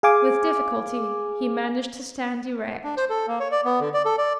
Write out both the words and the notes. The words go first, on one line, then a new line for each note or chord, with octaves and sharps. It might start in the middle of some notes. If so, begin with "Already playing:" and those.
With difficulty he managed to stand erect.
G#4 F5 G#5 D6
D4
C5
A4
A#3
C#5
D5
B3
D3
D5
A4
D5